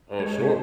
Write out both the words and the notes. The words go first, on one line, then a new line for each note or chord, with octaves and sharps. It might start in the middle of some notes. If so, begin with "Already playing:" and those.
Oh, sure.
G#3 C#5
C3
C5